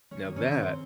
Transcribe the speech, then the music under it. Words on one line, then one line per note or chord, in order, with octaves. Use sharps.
Now that
C#4 C#5
D#3 A#3
C#4 C#5
C4 C5